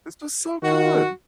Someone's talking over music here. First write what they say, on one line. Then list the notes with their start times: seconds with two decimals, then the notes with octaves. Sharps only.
this was so good.
0.63 D#3 F#4